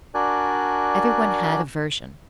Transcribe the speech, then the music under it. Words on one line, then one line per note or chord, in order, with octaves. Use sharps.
Everyone had a version.
D4 F#4 A#4 D5 G#5 F#6